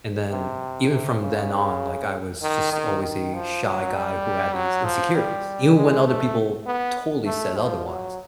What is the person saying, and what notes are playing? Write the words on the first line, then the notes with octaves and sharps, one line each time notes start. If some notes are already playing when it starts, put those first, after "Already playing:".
And then even from then on, like, I was just always a shy guy who had these insecurities. Even when other people totally said otherwise.
C3
C3
C#3
D#3
D#3
D#3
F3
F#3
G3
F#3
F3
G3
G#3
A3
B3
A3
F3
F#3